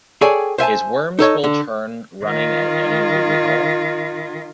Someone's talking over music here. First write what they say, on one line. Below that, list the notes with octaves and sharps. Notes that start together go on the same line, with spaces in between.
Is Worms Will Turn running at any movie hall?
G#4 A4 C#5 D5 G5 G#5
C5 E5 G#5 A5
D#4 A4 C#5 D#5
D3
D#3 F4